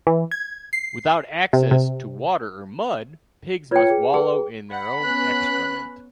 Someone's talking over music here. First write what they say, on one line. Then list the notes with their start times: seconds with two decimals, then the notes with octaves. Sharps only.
Without access to water or mud, pigs must wallow in their own excrement.
0.07 E3
0.31 G#6
0.73 C7
1.53 C3
1.71 C3
3.71 F4 B4 C#5 G5 G#6
3.90 G#4
4.14 G#4 B4
4.71 F#5 B5
5.02 B3 C#4 F#6